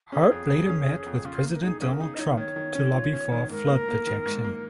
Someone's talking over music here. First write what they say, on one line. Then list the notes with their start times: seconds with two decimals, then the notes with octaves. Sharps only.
Hart later met with President Donald Trump to lobby for flood protection.
0.12 C#4 G#4
0.31 F2
0.50 F2
0.69 C#4
0.87 C#4
1.06 F2
1.25 C#3 F4
1.43 A#3
1.53 A#4
1.62 D#4 G#4
1.81 C#3 G#4
1.92 A#4
2.00 D#4 G#4
2.14 D#5
2.18 D#4 C#5
2.29 A#4
2.37 D#3 C#5
2.56 D#3
2.75 C#4
2.94 F4
3.13 C#4
3.32 D#3
3.50 G#2 A#4
3.69 A#3
3.88 A#3
4.07 D#3
4.26 G#2
4.45 A#3